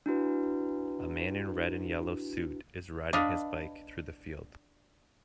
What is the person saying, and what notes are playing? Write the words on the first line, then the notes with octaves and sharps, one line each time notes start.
A man in red and yellow suit is riding his bike through the field.
D4 E4 F#4 B4
D4 B4 D#5 F5